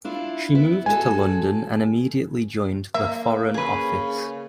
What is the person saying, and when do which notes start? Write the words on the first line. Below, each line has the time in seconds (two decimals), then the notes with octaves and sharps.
She moved to London and immediately joined the Foreign Office.
0.04 D4 E4 F4
0.55 B3 E4
0.86 G#3 F#4 A4 G#5
2.94 A#3 E5
3.54 C#3 G#4 B4